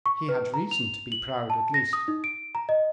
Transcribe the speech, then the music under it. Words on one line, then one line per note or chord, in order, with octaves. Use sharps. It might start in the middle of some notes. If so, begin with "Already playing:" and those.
He had reason to be proud, at least.
C#6
B4
A#5
F7
F#7
A5
A#6
D#6
D#4
D7
A#5
D#5